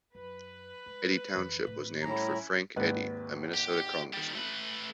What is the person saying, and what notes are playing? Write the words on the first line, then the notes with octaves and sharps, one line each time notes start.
Eddy Township was named for Frank Eddy, a Minnesota congressman.
F#2 B4
G#3
F2 E3
A2
A2 G3 C#4 E4 A#5
G#1 D#2 B4
G4
D#3 G3
A3 B4